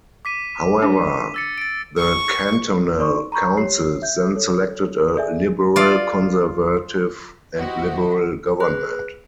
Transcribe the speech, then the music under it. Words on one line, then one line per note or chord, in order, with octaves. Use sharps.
However, the cantonal councils then selected a liberal-conservative and liberal government.
D6 B6 D#7
D4
E6 A6 C#7
A6 D7
C#6
D#4 D5 C6 C#6
A#5 B5 C#6 G6
G4 C#5 C7
E5 G6
A4 C#5
G#4 A4 D5 E5 G#5
F4 D5
E4 F#4 G4 C5 D#5 F#5
G#4 B4 F#6